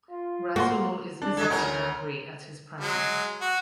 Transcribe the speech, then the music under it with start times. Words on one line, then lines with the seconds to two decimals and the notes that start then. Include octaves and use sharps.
Rasool is visibly angry at his presence.
0.11 F4
0.56 A#3 F#4 A5 C6
1.22 D4
1.37 D3 G#3 A4 G#6
1.50 D2 C#4 A#4
2.81 F#3 G#3
3.41 F#4